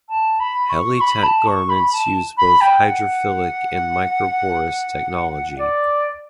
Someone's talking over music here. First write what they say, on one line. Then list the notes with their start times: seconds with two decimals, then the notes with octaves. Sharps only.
Helly Tech garments use both hydrophilic and microporous technology.
0.09 A5
0.39 B5
0.69 C#6
1.00 B5
1.23 A5
1.47 C#6
1.69 B5
1.92 A5
2.37 B5
2.61 G5
2.84 F#5
5.58 D5